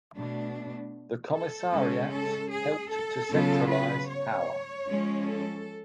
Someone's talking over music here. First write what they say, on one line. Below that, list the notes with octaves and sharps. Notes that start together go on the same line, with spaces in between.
The commissariats helped to centralize power.
B2 A3 D4
A4
C#3 G#3 C#4
A4
G#4
A4
C#3 F#3 B3 F4
B4
C#5
F3 G#3 C#4
A4